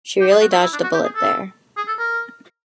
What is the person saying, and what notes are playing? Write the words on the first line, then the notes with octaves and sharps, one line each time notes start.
She really dodged a bullet there.
G4
G#4
F#4
E4
E4
D4
F#4
G4
G#4
A4
G#4
A4
A#4